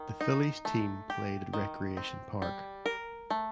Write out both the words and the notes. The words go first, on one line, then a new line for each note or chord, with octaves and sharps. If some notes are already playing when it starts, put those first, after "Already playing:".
The Phillies team played at Recreation Park.
Already playing: D#3
D#4
A3
G4
D#3
C4
G3
A#4
A3